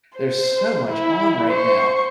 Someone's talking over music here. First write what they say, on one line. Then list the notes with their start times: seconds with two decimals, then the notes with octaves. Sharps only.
there's so much on right now
0.16 C5
0.88 E4
1.50 C5 C#6